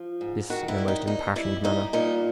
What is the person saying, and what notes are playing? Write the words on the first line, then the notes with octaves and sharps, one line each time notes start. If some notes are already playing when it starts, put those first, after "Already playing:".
This in a most impassioned manner.
Already playing: F3
G#2
D#3 F#4
E4
G3
D#4
G3 D#4
G3 E4
G3 D#4
A#2 D#4